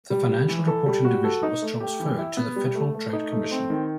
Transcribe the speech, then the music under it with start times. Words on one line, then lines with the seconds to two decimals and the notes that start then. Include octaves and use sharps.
The Financial Reporting Division was transferred to the Federal Trade Commission.
0.10 G3
0.29 G3
0.49 E3
0.67 A4
0.86 G3
1.05 F#4
1.24 A4
1.43 D#4
1.62 A3
1.80 G4
2.00 E3
2.18 E4
2.37 B3
2.56 G3
2.75 A3
2.94 A3
3.13 D#4
3.32 A3
3.51 C4
3.70 D#3